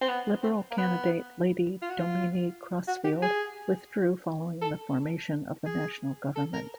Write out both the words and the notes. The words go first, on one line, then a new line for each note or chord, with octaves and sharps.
Liberal candidate Lady Domini Crosfield withdrew following the formation of the National Government.
C4
B3
C4
A#3
B3
F4
F#4
F4
F#4
G4
G#4
A4
G#4
A4
A#4